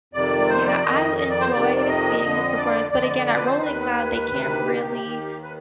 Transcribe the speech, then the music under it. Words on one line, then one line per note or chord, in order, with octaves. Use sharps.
yeah, I enjoyed seeing his performance, but again, at Rolling Loud, they can't really
F2 C3 D#3 D5
C5
D5
F2 D#3 D#5
D#5
D5
C5
F2 C3 D#3 D5
D5
D#5
F2 D3
D5
F2 D3 D5
D#5
D5
D5
B4
C5
D#2 D#3 B4
D2 C3 D#3
G4
D#2 D#3
B4